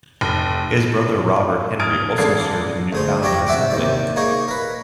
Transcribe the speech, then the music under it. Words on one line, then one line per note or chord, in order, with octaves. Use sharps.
His brother Robert Henry also served in the Newfoundland assembly.
F1
D#6 F6 G#6 A6 D7
A1 G#3 A4 D5 G#6 C7
D2 G#4 C5
D4 G4 C#5 D5 G5 A#5
C3 E5 F#5 D6
D#2 C3 D5
A#3 D#4 G#4 C#5
A#4 B4